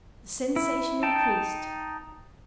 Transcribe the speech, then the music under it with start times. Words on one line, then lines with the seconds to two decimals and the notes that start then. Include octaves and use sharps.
The sensation increased.
0.56 E4
1.03 D#4 G5 A5